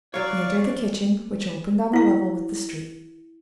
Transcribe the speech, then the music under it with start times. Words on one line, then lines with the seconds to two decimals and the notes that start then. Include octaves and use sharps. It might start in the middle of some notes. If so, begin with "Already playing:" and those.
He entered the kitchen, which opened on a level with the street.
0.14 F#3 C#5 D5 F5 C#6
1.93 E4 F5